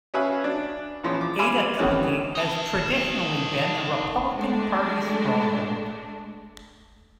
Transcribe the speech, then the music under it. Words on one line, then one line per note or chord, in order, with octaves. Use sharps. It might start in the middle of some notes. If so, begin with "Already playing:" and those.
Ada County has traditionally been a Republican Party stronghold.
C#4 F#4 B4 E5 F5 G#5
D4
A#1 E3 F3 C#4 C6
D6
F5 G#5 B5 C6 D6 E6
D#3 E3 G3 A3 C#4
D#4 A5
G#3 A3 D4